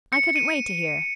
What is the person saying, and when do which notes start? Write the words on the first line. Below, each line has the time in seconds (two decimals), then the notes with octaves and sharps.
'I couldn't wait to hear.
0.13 C#7
0.36 D#7